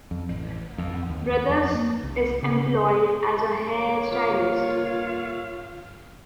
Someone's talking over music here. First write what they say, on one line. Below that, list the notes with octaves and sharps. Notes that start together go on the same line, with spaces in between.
Brothers is employed as a hair stylist.
F2
A1
F2
D#2
F2
A#3
C2
C#3
G1 A#3 C#5
F4 F5